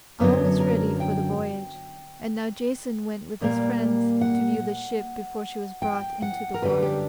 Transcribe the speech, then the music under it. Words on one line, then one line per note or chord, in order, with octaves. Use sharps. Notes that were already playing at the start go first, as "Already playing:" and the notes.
All was ready for the voyage, and now Jason went with his friends to view the ship before she was brought into the water.
F#2 D3 F#3 B3
A#4
G5
A#2 G3 A#3
F#5
G5
F#5
A#4
F#2 D3 G3 B4
G4